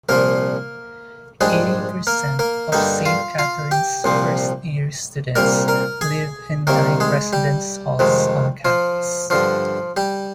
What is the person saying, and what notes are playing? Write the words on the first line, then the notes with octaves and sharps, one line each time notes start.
Eighty percent of Saint Catherine's first-year students live in nine residence halls on campus.
C2 A#2 F3 A#3 A#4
A#1 G#2 G3 G#3 D4 G#4
A#3 A#4
A#3 A#4
G2 D3 G3 A#3 D#4 D#5
F4 F5
F4 F5
G4 G5
C2 A#2 F3 C4
C2 A#2 G3 A#3 A#4 A#5
A#4 A#5
G#4 G#5
C2 C3 D#3 A#3 A#4
G#3 G#4
G3 G4
F2 C3 D#3 G#3
F3 F4
G2 D3 F3 F4
G3 G4